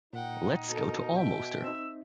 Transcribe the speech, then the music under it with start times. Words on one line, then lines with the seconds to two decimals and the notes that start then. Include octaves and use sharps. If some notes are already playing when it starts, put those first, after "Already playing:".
Let's go to Almoster.
0.13 A#2 D#4 F#5 G5
0.67 B2 A4 A#4
1.16 E5 G5
1.64 C4 D#4 E6